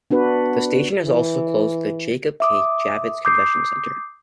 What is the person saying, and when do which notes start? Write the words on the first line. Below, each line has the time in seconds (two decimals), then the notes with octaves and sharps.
The station is also close to the Jacob K. Javits Convention Center.
0.11 B3 D4 F#4 B4
1.04 E3
2.40 E5 D6 D#6
3.25 D6 D#6 G6 C7